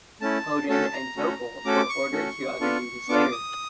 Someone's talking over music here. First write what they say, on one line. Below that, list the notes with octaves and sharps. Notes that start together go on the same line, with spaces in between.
Hoden and Toeppel were ordered to other duties later.
A3 C#4 E4 A5
A3 C#4 F#4 A4 A5
A#5
A3 C#4 F#4 A4
A3 C#4 F#4 A4 D6
C#6
A3 C#4 F#4 A4
B3 D4 F4 A4
B3 D4 F4 A4 D6
D#6